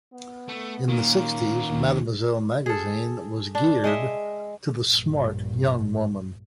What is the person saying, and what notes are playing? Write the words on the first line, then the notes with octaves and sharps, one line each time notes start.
In the sixties, "Mademoiselle" magazine was geared "to the smart young woman".
B3
A3
A#2 D#3 A#3 C#4
D#2
G#4 A4
D4
G#3 D#5 E5
A#1 G2